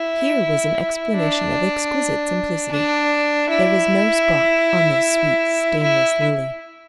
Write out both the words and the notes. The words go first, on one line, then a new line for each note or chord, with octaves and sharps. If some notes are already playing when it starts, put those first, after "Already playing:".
Here was an explanation of exquisite simplicity. There was no spot on this sweet, stainless lily.
Already playing: E4
D4
D4
E4
E4